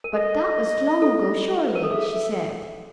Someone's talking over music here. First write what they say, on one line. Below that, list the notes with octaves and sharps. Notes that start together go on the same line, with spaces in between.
"But that was long ago, surely," she said.
A#4
A4 D#5
A4
B4
A#4
A4
G#4 E5
E5